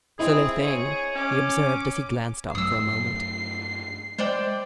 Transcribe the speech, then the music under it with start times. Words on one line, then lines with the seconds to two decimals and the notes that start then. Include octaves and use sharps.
"Silly thing!" he observed as he glanced up for a moment.
0.19 C4 E4 G#4 D#5 B5
0.63 G#4 C#5
1.15 C#4 D6
2.55 G2 F#3 A3 D#6 E6 C7
4.19 G#3 C5 D5 G5